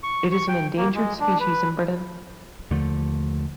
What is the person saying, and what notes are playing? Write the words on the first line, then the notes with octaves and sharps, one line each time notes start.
It is an endangered species in Britain.
C#6
C#6
G5
A#3
G#3
D4
B4
D#2 D3 F3 A3